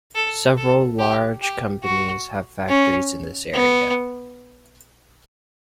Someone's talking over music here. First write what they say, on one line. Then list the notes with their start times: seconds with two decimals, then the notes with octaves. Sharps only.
Several large companies have factories in this area.
0.15 A4
0.58 A4
0.99 G4
1.42 G4
1.84 F#4
2.68 C#4
3.53 B3